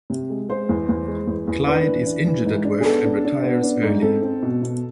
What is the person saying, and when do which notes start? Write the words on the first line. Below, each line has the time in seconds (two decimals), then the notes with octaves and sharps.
Clyde is injured at work and retires early.
0.10 C3
0.30 G#3
0.49 G#3 C5
0.69 E2
0.89 E2
1.07 G#3
1.27 E2
1.47 E2
1.67 D4 B4
1.87 E3
2.06 D4
2.26 E3
2.45 G#2
2.65 D4
2.81 G#4
2.84 B3 A4
3.05 D4
3.25 D4
3.44 B3
3.63 D4
3.83 G#2
4.02 C4 A4
4.22 C4
4.42 B2
4.62 B2